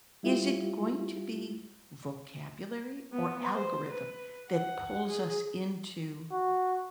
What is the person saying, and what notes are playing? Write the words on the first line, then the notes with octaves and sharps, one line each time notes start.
Is it going to be vocabulary or algorithm that pulls us into
G3 E4 F4 G4
B3
C5
B4
F#5
G#4
F#4